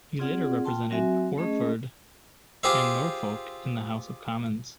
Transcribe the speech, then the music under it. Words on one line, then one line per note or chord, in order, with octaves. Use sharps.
He later represented Orford and Norfolk in the House of Commons.
C4 F4 G#4 D5 F#5
F4 G5 A5 C6
F#3 C4 F#4 E5 G#5
A3 C#4 G#4 D#5
F4 G4 G#4 C5 E5